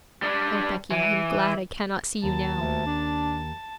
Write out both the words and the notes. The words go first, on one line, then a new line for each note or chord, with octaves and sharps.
O Becky, I am glad I cannot see you now!'
G3 D4
E3
D#2 A5
D2
D4